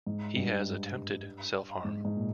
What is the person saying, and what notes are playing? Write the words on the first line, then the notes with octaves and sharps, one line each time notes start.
He has attempted self-harm.
G#2
G2
G#2
G#2
A#2